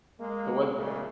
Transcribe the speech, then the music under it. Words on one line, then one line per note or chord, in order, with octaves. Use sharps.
So, what
G#3 A#3
B1 A#2 C#3 G#3 A3